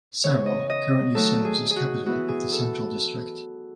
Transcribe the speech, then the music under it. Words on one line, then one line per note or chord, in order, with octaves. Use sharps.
Serowe currently serves as capital of the Central District.
C#3 E3 B3 C#5
D#5
D#5
D#3 F#3 A3 D#4 A4
G#4
G#4
F#4
E3 B3 E4 F#4
G#4
A4